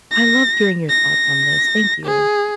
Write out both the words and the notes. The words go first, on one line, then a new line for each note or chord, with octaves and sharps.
I loved hearing your thoughts on this. Thank you.
A#6
A#6
G#4